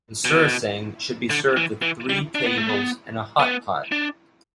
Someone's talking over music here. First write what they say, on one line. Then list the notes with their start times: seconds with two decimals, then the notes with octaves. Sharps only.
The "surasang" should be served with three tables and a hotpot.
0.25 B2
1.30 D3
1.57 E3
1.82 E3
2.09 G3
2.35 D4
2.46 B3
2.58 A3
2.69 B3
3.40 B3
3.92 D4